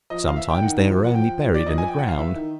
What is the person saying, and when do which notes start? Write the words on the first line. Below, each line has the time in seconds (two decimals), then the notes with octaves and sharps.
Sometimes they are only buried in the ground.
0.10 F3 D#5
0.28 F5
0.36 E3 E5
0.50 G5
0.62 D#3 F#5
0.88 F3
0.96 F#3
1.04 F3 F#5
1.14 F3 G5
1.54 D5
1.66 D#5
1.78 G#5
1.88 G5
1.99 F#5
2.08 F5
2.18 E3 E5
2.35 D#3